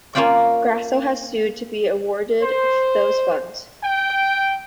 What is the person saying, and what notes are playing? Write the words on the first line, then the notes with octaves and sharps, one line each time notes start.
Grasso has sued to be awarded those funds.
A#3 C#4 F4 D5 G5
C5
G5